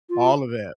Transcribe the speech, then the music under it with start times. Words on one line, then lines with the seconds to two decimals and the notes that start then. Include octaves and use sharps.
All of it.
0.10 F4